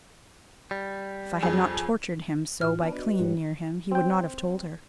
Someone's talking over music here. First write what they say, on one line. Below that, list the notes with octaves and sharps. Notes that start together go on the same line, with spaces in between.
If I had not tortured him so by clinging near him, he would not have told her.
G3
F2 G#4
A2 F4 F6
B3 D4 D5 A5
F#4 B4 D#5
B4
G#2 G3 C#5
C4 G5